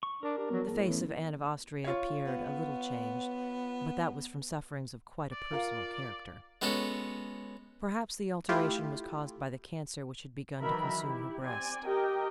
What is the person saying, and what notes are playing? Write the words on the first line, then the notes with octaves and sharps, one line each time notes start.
The face of Anne of Austria appeared a little changed, but that was from sufferings of quite a personal character. Perhaps the alteration was caused by the cancer which had begun to consume her breast.
C#6
D4 A#4
D4 G4
F3 F#3 B3
A2 A#3 G#4 A5
E3 B3 C#4
F4 C#5
B3
D5
F4 A#4 F5
G#3 B3 C#4 F#4 A4
A3 E4 F4 G4
D#3 E3 F#3 A#4 E5 B5
E4 G4
C4 D5 G#5
G4 A#4 D#5 G5